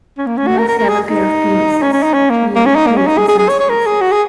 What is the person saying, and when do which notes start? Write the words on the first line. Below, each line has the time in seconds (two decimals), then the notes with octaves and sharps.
Males have a pair of penises, which may be fused in some species.
0.18 C#4
0.27 A#3
0.37 C#4
0.47 F#4
0.58 A#4
0.68 A#4
0.78 A#4
0.89 G#4
1.10 D#4
1.82 C#4
1.93 C#4
2.03 D#4
2.14 C#4
2.30 A#3
2.56 A#3
2.66 C#4
2.76 D#4
2.87 A#3
2.97 C#4
3.07 D#4
3.18 G#4
3.28 G#4
3.39 G#4
3.49 C#5
3.60 C#5
3.70 A#4
3.86 G#4
4.01 F#4
4.11 G#4